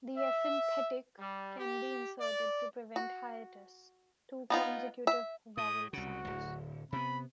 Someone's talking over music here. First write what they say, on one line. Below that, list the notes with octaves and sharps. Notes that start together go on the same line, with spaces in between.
The epenthetic can be inserted to prevent hiatus, two consecutive vowel sounds.
E5
G3
G4
D5
F#4
B3 D#4 F4
E5
A2 D#6
C2 C#3 F#4
D1 D2
C3 B3 B5